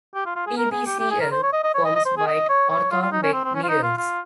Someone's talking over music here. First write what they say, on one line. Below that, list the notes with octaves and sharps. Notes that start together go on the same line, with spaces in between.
PbCl forms white orthorhombic needles.
G4
F4
F4
G#4
A#4
G#4
G4
G4
G#4
A#4
C5
C#5
D#5
D#5
C#5
D#5
D#5
C5
G#4
D#5
C#5
C#5
F4
F4
D#4
C#4
C4
C4
C#4
F4
D#4
F4
F4